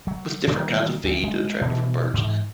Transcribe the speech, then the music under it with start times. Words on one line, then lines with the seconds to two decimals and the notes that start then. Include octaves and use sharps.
With different kinds of feed to attract different birds
0.07 F#3
0.47 D#3 E3 G3 A#3
1.04 D2
1.24 G#3
1.61 B2 E3
2.14 G#2 E3